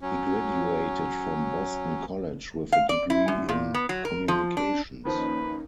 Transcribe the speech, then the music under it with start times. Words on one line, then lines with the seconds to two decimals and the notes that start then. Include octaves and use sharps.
He graduated from Boston College with a degree in communications.
0.01 F#3 C#4
2.72 F5
2.89 D5
3.10 E4
3.28 F#2
3.49 A#2
3.74 B3
3.89 F#3
4.05 A#4
4.28 F3
4.57 D4
5.05 D#3 F3 A#3 C#4 D#4 B4